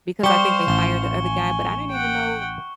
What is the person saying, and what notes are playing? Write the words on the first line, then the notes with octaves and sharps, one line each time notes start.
because I think they fired the other guy, but I didn't even know
G3 G4 C5 F5 C#6 C#7 G7
A1 G7
G#5
F#5 G5